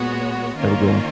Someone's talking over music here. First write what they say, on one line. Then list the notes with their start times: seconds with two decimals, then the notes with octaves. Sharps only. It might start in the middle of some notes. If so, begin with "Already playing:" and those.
Have a good one.
Already playing: A#2 G#3 B3 F#4 C#5
0.57 D#3 A#3 C#4 F4 A#4